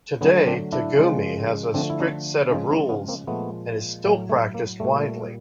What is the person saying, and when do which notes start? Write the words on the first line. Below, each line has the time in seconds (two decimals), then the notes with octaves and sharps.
Today, "tegumi" has a strict set of rules and is still practiced widely.
0.21 D3 F#3 A3 B3 C#4
0.47 C4 D4
0.72 D4 E4
0.99 C#3 F3 G#3
1.74 D3 F3 A3 C4 D4
1.90 E4
2.00 C#4 D#4
2.50 C#3 F3 G#3 C#4 D#4
2.70 C4 D4
2.89 B3 C#4
3.08 A#3 C4
3.27 A#2 F3 G#3 A3 B3
4.04 A2 F#3 A3 A#3
4.29 A3
4.54 A#3
4.80 A#2 G3 A3